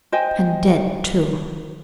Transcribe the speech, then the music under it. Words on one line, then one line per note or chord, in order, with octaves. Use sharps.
And dead too.
C5 D#5 G5 G#5